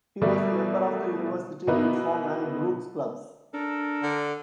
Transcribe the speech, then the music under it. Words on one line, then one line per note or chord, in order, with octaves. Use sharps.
He was a member of the University, Reform, and Brooks's Clubs.
B2 G3 A3 A#3 A4 D5
B2 A#3 B3 D#4 E4 B4
D4 A4 A#4
D3